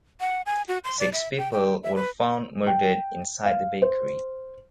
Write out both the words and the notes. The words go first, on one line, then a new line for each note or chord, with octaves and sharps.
Six people were found murdered inside the bakery.
F#5
G#5
F#4
C6
D5
E5
G5
G5
E5
B4
G5
F5
C5